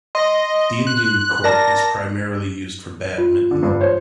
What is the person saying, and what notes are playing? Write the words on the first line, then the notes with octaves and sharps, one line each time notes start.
The Indian court is primarily used for badminton.
D#5 C6
F#6
A#4 D5 A5 A#6
F4
D3
G2
C5 C#5